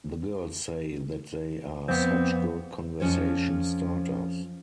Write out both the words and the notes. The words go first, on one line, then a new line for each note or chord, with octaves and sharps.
The girls say that they are such good conversation starters.
F2 B3 C4
F2 F3 C#4 C5 C#5